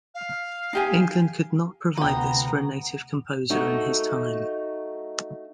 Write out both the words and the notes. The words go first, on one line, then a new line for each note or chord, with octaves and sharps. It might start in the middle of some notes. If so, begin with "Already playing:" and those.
England could not provide this for a native composer in his time.
F5
D#4 G4 G#5
D2 C3 B3 B4 G5 A#5
A3 D#4 F#4